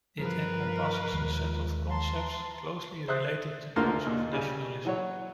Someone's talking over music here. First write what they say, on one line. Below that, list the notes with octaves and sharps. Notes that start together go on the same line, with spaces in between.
It encompasses a set of concepts closely related to those of nationalism.
G2 E3 F3 A#4 B4 C7
D#2 D#3 G#3
A5 A#5 C6
C5 E5 D#6 F#6
D2 D3 A#3 F4 A#4 C6
D#2 A#2
C#3 G3 G#5
E3 F#3 C#5